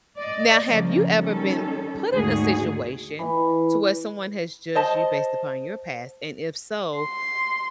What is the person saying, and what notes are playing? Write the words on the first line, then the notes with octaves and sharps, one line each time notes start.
Now, have you ever been put in a situation to where someone has judged you based upon your past and if so,
D5 D#5
C#3 F3 A#3
D#3 G3 C#4 A4
D#2 G#2 D3 A3 F#4 G#4
E3
C5 D#5 A5
C6